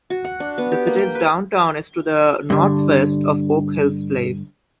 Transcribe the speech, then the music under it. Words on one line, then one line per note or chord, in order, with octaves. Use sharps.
The city's downtown is to the northwest of Oak Hills Place.
F#4
F#5
D4
B3
G4
A#3
G5
B4
G2 D3